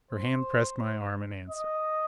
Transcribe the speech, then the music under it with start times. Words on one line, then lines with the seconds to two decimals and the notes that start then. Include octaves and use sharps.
Her hand pressed my arm in answer.
0.11 C5
1.50 D#5